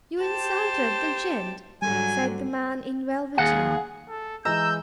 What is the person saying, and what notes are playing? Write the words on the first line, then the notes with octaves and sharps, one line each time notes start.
"You insulted the gent," said the man in velveteen.
G4 C5 A5
G#2 D3 F#3 G3 G#5
D#2 G#4 F5 F#5
A4
E3 G#3 D#5 A#5 E6 G6